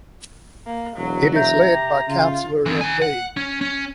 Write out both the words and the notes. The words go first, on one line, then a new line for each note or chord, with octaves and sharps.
It is led by counselor Md.
A#3
E1 F#3
E5 A#5 G6
G4
C#3 F4
E3 C4
D#3 G#5
F#5
C#4
C#4